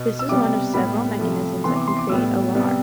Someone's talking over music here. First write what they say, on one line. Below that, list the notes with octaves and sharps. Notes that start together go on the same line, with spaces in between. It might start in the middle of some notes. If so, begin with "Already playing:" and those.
This is one of several mechanisms that can create a lahar.
Already playing: B2 B3
E6
C3 G3 B3 D6
A2 G3 B3 B5
C3 F3 A3
C3 E3 B3 C6
D6
C6
D6
A2 G3 B3 E6
C3 G3 B3